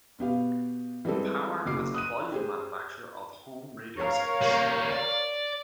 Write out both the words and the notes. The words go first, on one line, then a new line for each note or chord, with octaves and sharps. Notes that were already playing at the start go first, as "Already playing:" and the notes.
Power as a volume manufacturer of home radio sets.
B2 B3 G4 F5
E3 G3 G#3 C4 A4
F#1 F#4 D6 C7
D#6 F#6 D#7
G4 G#4 C5
A#4 C#5 F5
G3 A#3
D5